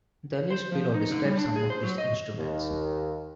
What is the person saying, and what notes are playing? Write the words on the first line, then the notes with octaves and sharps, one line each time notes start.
The list below describes some of these instruments.
C5
F3
D#4
D3
G3
D4
G#4
C5
F#3
D#5
D#2